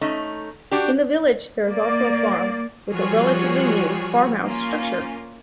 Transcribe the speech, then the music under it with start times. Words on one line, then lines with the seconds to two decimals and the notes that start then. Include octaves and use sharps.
In the village there is also a farm, with a relatively new farmhouse structure.
0.01 A3 C#4 D#4
0.71 D4 F#4 G4
1.69 A#3 D5
2.90 F3 G3 F4 F#4 G#4 C#5
4.44 A#3 C#4 F4